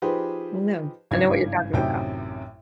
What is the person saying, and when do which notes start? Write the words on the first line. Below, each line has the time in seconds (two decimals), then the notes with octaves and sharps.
I know I know what you're talking about.
0.02 F3 D#4 G4 G#4 B4 C5
1.11 G#1 G2 C#3 E3 G#6
1.73 A1 F#2 C3 D#4 E4 G5